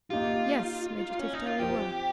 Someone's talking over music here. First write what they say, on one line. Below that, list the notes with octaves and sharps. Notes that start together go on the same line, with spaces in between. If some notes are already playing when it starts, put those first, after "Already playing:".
"Yes, Major Tifto, we were."
A#3 D#4 F4 G4
C#4
D#4
F4
F3 C4 F4 G4 C5